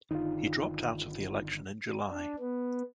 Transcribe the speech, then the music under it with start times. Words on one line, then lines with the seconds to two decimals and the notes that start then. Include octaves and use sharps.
He dropped out of the election in July.
0.11 G1 D3 D#3 D#4 F4
2.10 D4
2.39 B3